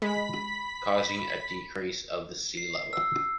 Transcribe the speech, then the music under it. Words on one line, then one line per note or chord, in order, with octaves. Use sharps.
Causing a decrease of the sea level.
G#3 B5 B6
C7
E6